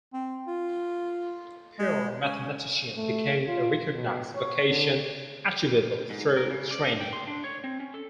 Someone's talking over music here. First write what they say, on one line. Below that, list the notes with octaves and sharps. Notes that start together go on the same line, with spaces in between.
Pure mathematician became a recognized vocation, achievable through training.
C4
F4
G#3
C#4
A3
F4
B2
C#5
D3
G#2
A#4
C#3
D5
D4
G5
C6
D4
C#5
C4
C#4
A4